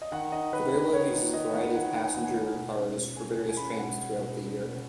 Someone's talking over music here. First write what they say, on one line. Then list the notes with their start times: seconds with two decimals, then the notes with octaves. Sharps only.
The railroad uses a variety of passenger cars for various trains throughout the year.
0.02 D#5
0.12 D#3 F#5
0.32 D#4 D#5
0.52 D#3 B4
0.72 B3 B4
0.93 D#3 C#5
1.13 D#4
1.34 D#3 D#5
1.54 B3 F#5
1.74 D#3 F#5
1.94 D#4 F#5
2.05 G#5
2.15 D#3 F#5
2.25 G#5
2.35 B3 F#5
2.55 B2
2.75 C#4
2.96 B2
3.16 G#3 G#5
3.36 B2
3.48 G#5
3.56 C#4 B5
3.77 B2 F#5
3.97 G#3
4.18 B2
4.38 C#4
4.58 B2